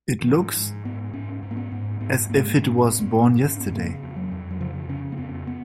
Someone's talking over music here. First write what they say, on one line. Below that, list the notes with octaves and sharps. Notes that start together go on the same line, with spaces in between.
It looks as if it was born yesterday.
D#3
G#2 F3
G#2
G#2 B3
G#2 C#4
G#2
A#3
B3
G#2
G#2 B3
G#2 A#3
G#3
A#3
G#2 C#4
G#2 B3
G#2
G#2 C#4
B3
C#3 A#3
F2
F#3
F2
F#3
C#3 F3
C#3 C#4
A#3
F2 B3
B3